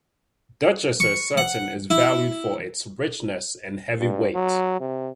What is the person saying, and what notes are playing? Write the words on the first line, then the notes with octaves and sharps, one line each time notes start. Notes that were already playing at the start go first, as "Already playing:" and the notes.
Duchesse satin is valued for its richness and heavy weight.
C#6
F#5
E4
G2
F#3
C3